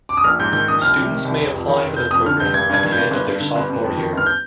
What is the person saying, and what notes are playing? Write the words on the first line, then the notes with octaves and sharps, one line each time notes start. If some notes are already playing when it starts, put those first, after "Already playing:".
Students may apply for the program at the end of their sophomore year.
D6
D#6
A#1 F6
G#2 G6
D#3 G6
A#1 D#6
C2 F6
C3
D#3
C2
F1
F2
D#3
F1
F1 G6
F2 D#6
D3 F6
F1 G6
G#1 G#6
G2 G#6
D#3 G#6
G#1 G6
G1
G2
D3
G1
G1
F2
D#3
G1 F6
G6